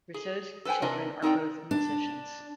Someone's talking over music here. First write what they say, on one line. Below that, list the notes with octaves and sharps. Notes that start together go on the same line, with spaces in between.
Roussos' children are both musicians.
G#4
A4 B4 C5 G5 G#5
C3 D4 A#4 B4 D#5
C4 D#4 A#4 D5 G5
D4